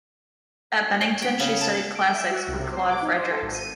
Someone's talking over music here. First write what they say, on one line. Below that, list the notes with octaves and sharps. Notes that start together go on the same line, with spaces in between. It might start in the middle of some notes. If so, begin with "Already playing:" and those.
At Bennington she studied classics with Claude Fredericks.
C#5
G5
C#3
A5
D7
E5
F#4
C2
C3
C5
D6
D#4
C5
A4
G#1
D#7